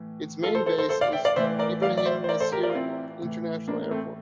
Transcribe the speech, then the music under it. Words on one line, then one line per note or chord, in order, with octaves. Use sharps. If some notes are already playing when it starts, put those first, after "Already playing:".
Its main base is Ibrahim Nasir International Airport.
Already playing: A2 E3
F4 A4
A4 C5
A4 C5
A4 C5
A4 C5
D5 F5
E5 G5
D5 F5
A2 E3 C5 E5
A#4 D5
D5 F5
D5
C5 E5
C5
A#4 D5
A4 C5
G4 A#4
A#4 D5
F4
C4 E4
A2 E3
A#3 D4
A#3
A3 C4